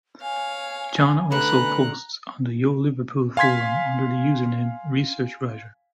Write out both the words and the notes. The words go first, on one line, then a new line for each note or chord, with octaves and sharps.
John also posts on the YoLiverpool forum under the username ResearchWriter.
C#5 F5 G#5
D3 A3 B4 A#5 F#6
F5 G#5 C6 G#6 B6